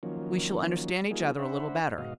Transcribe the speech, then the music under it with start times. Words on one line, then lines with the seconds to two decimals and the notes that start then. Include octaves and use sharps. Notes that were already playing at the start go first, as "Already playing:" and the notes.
"We shall understand each other a little better."
0.03 D#3 F3 F#3 A#3 C#4
1.11 G3 A#3 D#4 F4 G#4
1.39 D4 C5 E5 F#5 B5
1.98 G#2 B2 F#4 D#5 F5